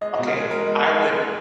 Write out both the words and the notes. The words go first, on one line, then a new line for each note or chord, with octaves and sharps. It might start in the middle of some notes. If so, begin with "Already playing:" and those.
okay, I would
G#3 D#5
D#5
B2
A#4
G#3 G#4
G#3 A#4
G#3
G#3
G#3
G#3